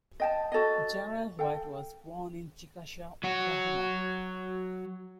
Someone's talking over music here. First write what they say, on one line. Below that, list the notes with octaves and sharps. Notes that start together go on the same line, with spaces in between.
General White was born in Chickasha, Oklahoma.
D#5 G5 A5
F#4 A4 C#5 D#5
A4 F5 G5
F#3 F#4